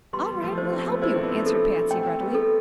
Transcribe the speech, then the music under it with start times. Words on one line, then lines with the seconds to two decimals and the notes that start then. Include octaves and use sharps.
"All right; we'll help you," answered Patsy, readily.
0.13 G3 B3 C6
0.32 G3
0.42 F3 A3
0.58 C5
0.72 C4
0.80 B3
0.88 A3 C4
1.02 E4 C5
1.09 D4
1.16 C4
1.23 B3 D4
1.46 B3 D4 A4
1.91 A3 C4 G5
2.20 G3 B3
2.35 A4